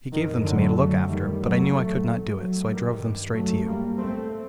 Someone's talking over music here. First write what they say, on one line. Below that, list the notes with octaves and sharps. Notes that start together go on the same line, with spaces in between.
'He gave them to me to look after, but I knew I could not do it, so I drove them straight to you.
F#2 D#3
D3 F#3
F#3 A3
D#3 G3
F#3 A3
F#3 A3
F#3 A3
G2 D#3 G3
F#3 A3
G3 A#3
A3 C4